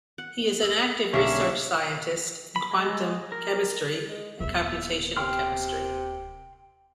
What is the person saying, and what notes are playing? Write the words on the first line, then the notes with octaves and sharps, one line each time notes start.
He is an active research scientist in quantum chemistry and computational chemistry.
F#5
E6
B1 D3 A#3 C#4 D4 C#5 E5 F5
B5
G#3
A#4
G#3
D#1 B3 E5
C3 G5 C6 F6